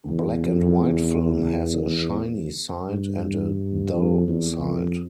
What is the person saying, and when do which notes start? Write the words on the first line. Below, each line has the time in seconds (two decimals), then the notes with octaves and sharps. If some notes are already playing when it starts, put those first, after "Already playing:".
Black-and-white film has a "shiny" side and a "dull" side.
0.10 E2
0.46 F2
0.80 E2
1.84 E2
2.89 G2
3.24 G2
3.93 F2
4.28 E2
4.63 F2